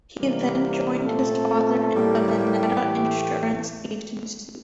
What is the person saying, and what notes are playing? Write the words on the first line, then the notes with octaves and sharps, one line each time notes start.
He then joined his father in the Mineta Insurance Agency.
C3 E3 G3 A#3
A#2 A3 C4 A4
A2 G3 A#3
G4
A2 E3 A3